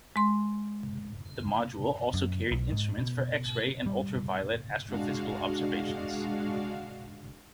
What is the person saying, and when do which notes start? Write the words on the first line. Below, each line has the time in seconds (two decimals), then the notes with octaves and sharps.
The module also carried instruments for X-ray and ultraviolet astrophysical observations.
0.16 G#3 C6
2.14 F#2
2.51 B1
2.72 G#2
2.98 B2
3.86 G3
4.87 G#3 D4 F#4 F5